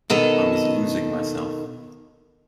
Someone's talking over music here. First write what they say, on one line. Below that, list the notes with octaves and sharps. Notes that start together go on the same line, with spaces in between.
I was losing myself.
B2 D#3 A4 D#5